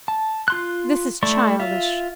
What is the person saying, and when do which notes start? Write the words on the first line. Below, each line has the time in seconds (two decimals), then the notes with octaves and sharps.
This is childish.
0.08 A5
0.48 F4 C6 F#6
1.23 A3 E4 D5 C#6
1.60 F4 E5